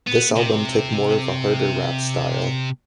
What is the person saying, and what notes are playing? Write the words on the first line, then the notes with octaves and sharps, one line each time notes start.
This album took more of a harder rap style.
B3
C3